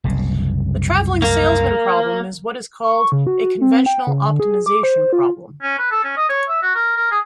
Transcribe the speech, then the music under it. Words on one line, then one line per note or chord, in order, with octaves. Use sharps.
The traveling salesman problem is what is called a conventional optimization problem.
F#1 C2 C#3
A#3
C#6
C#3
F#4
C4
G5
C#3
D3
G#4
D6
C5
F4
C#4
B4
A4
C#4
D#5
C#5
E5
F#4
A#4
A#4
G#4